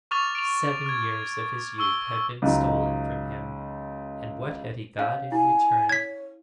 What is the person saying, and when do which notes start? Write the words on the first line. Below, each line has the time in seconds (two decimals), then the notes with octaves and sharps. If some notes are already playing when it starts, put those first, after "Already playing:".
Seven years of his youth had been stolen from him, and what had he got in return?
0.11 C#6 D6 F6 A6 F7
0.35 D7 F7
0.86 F6 G#6
1.78 C#6 E6 G7
2.42 C#2 F#3 D#4
4.98 C#4 C#5 F5
5.32 E4 G#5
5.89 C#5 G#6 B6